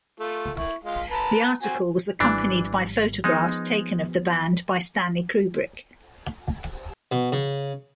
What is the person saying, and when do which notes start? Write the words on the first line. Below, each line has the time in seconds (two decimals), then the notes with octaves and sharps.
The article was accompanied by photographs taken of the band by Stanley Kubrick.
0.20 A3 F4
0.57 E4 C#6
0.84 G#3 F4 F5
1.10 B4 A5 A#5
1.63 C4 F#4 G#5
2.20 G#1 E3 G3 D4
3.24 F3 G#3 B3 D#4
7.12 B2
7.32 C#3